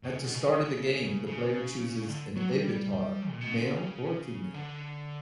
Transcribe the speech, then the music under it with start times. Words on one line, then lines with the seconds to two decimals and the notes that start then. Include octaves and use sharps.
At the start of the game, the player chooses an avatar, male or female.
0.03 B2
0.13 C#3
0.24 B2
0.34 C#3
1.27 C#3
2.08 D3
2.36 F#3
2.50 G3
3.31 A#2
3.41 B2
3.52 C#3
3.62 D3
3.73 C#3
4.54 D3